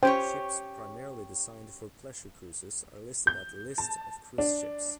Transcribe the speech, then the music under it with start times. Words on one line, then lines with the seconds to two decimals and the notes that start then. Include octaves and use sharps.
Ships primarily designed for pleasure cruises are listed at List of cruise ships.
0.03 C#4 G4 C5 C#5 G5
3.27 G6
3.78 A5
4.38 D4